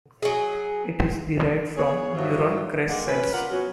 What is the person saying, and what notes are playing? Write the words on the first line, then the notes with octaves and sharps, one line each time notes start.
It is derived from neural crest cells.
F#3 G#4
B3 G#4 C#5
G2 F3 F#3 E4 F4
D#3 G#3 A#3 F#5
C#4 B4
F4 A#4 B4 D5 F#5
F#3 B3 C#4